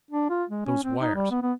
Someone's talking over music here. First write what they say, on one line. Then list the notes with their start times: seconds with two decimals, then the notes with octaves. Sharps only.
Those wires!
0.11 D4
0.30 F4
0.50 G#3
0.66 C#4
0.84 C4
1.01 D#4
1.15 G3
1.31 B3
1.42 B3